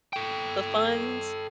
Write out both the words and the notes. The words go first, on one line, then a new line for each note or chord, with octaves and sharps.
the funds,
A4 G5